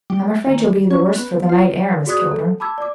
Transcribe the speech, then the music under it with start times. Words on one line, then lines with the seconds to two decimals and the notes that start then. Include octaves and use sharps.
I'm afraid you'll be the worse for the night air, Miss Kilburn.
0.10 G3
0.47 D#3
0.91 C#4
1.16 B3
1.49 F4
2.07 F#4 G#4 D5 D#6 F#6 G#6
2.31 A4
2.60 A5 B5 D6 E6 G#6
2.78 D5 D6